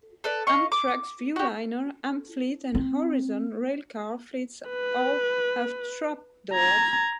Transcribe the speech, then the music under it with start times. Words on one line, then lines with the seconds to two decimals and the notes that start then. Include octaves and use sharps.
Amtrak's Viewliner, Amfleet, and Horizon railcar fleets all have trapdoors.
0.24 A4 B4 D5
0.47 D#5 F5 C#6
0.72 D6
1.36 F#4 G4
2.75 C4
4.69 B4
6.53 A#5 G#6